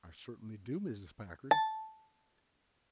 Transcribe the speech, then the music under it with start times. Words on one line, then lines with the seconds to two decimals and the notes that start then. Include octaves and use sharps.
"I certainly do, Mrs. Packard."
1.51 A5